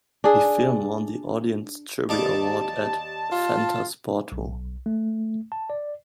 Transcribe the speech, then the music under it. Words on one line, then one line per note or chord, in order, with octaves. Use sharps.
The film won the "Audience Jury Award" at Fantasporto.
D4 G#4
D#2 G3 A5 D6
F4
B1
A3
A5
D5